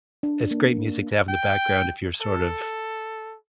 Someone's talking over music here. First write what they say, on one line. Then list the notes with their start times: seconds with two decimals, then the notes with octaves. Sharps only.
it's great music to have in the background if you're sort of
0.23 D4
0.51 A#3
1.29 G5
2.21 A4